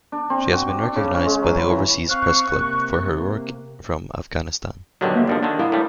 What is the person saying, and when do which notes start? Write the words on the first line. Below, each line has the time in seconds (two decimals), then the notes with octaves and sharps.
She has been recognized by the Overseas Press Club for her work from Afghanistan.
0.12 D4
0.30 C4
0.53 F#4
0.69 D6
0.83 D4
0.96 C#3
1.14 C#4
1.26 G#3
1.43 F#3
1.58 B5
1.70 E3
2.09 C4 F5 C#6 F#6
2.52 C3 A#3
5.01 G1 D3 D#3 F#3 G4
5.15 A#3 E5
5.27 G1 D#2 F3 D4
5.43 D3 D#3
5.59 A#3 B3 E4
5.72 A2 G3